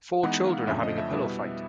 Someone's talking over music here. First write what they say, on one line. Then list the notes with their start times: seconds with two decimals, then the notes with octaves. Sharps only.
Four children are having a pillow fight.
0.23 E3 G#3 B3 D#4 F#5
0.46 F5
0.68 F2 C#3 F3 A3 D4 E5
0.83 D#5
0.98 E5
1.13 B2 G3 B3 E4